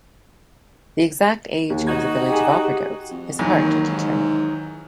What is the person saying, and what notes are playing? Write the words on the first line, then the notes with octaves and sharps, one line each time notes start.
The exact age of the village of Opperdoes is hard to determine.
D#2
D#4 F#4 G#6
G4 G#4
F2
D#2 D#3 E3 F#3
G#2